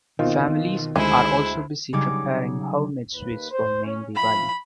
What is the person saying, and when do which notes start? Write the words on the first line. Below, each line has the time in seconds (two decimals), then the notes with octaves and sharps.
Families are also busy preparing homemade sweets for main Diwali.
0.19 B2 D#3 C4 F4
0.96 D2 G#3 E4 C5
1.93 C#3 F#3 G3 D#4 D6 G#6
3.13 D#2 B4
3.50 C5
3.83 C#4
4.15 F3 E5 F5 B5